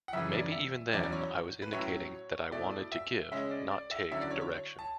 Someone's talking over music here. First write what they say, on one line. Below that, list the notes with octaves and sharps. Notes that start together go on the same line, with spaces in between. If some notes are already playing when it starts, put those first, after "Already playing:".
Maybe even then I was indicating that I wanted to give, not take, direction.
F#5
F#2 C#3 E3 E5
D5
E5
E2 B2 F#3 C#4 E4 D5
D5
C#5
B4
A2 F#3 C#4 E4 C#5
B2 A3 E4 D5
E5
C#3 G#3 C#4 E5
D5
D5
E5
D3 F#3 C#4 E4 E5
D5
C#5
C#5
A5